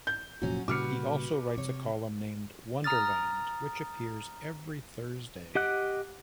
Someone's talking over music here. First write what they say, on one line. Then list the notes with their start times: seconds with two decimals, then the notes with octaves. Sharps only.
He also writes a column named "Wonder Land" which appears every Thursday.
0.07 G6
0.42 F1 A#2 F3 F#3 C#4 F#4
0.68 A#2 C#3 G3 F#4 B4 D6 F6 C#7
1.58 C3 C#5
2.84 A#5 D#6 F6 A6
5.55 G4 D#5 F#5 D6 F#6